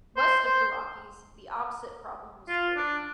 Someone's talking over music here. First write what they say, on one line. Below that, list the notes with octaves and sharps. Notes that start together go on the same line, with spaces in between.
West of the Rockies, the opposite problem was true.
C5
C5
F4
D4